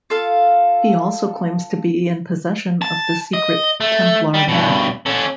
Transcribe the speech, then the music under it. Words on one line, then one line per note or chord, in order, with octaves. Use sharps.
He also claims to be in possession of the secret Templar map.
F4 A4 F5
A5
D#5
A3
G3
G2 B2
C#4 A4